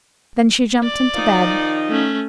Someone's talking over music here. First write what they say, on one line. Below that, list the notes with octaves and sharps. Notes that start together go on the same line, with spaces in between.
Then she jumped into bed.
D5
D#3 F3 D#4
A3 C#4